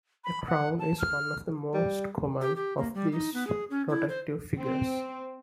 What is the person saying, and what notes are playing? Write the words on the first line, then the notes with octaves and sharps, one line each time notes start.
The crone is one of the most common of these protective figures.
B5
F#5
A5
F6
G3
G4
G4
A#3
G3
D#4
B3
G#4
C#4
E4
C5
C4